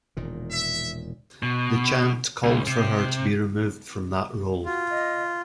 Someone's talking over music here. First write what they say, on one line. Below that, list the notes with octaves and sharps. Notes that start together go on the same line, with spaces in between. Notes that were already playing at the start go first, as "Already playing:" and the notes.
The chant called for her to be removed from that role.
E1 A#2 D#3
E5
B2
C#2
C3
F4 F#4
D#5